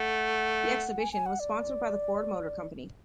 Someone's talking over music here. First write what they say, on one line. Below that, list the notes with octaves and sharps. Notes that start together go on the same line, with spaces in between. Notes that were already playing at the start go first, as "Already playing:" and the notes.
The exhibition was sponsored by the Ford Motor Company.
Already playing: A3 F#5
G#5
G#5
F#5
D5